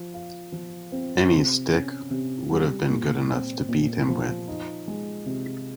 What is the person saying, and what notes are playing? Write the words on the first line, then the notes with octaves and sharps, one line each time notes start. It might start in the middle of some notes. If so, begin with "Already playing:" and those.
Any stick would have been good enough to beat him with.
Already playing: F3
F4
F3
C4
C3
C#4
C3
G3
A#2
C4
A#2
F3
D#4
G#3
C3